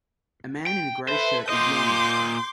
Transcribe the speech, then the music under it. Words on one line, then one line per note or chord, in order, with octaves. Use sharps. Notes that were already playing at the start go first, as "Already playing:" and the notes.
A man in a gray shirt is yawning.
G5
A4 B4 C5 E5
A#2 D#5 C6 D6 G6